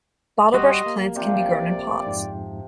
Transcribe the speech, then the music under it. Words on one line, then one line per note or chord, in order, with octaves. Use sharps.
Bottlebrush plants can be grown in pots.
G3 F#4 G4 D#5 C6
A#3
C3 F3 D5
F2 G#2